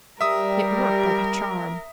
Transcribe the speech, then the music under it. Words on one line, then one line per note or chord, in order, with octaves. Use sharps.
It worked like a charm.
G3 A#4 E5 D#6